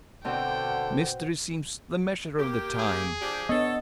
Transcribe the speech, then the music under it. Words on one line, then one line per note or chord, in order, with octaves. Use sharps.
Mystery seems the measure of the time!
B2 D3 C4 G5
A#3 G4
G#4
F3 D4 G4
B3 D4 A4 C#5 D#5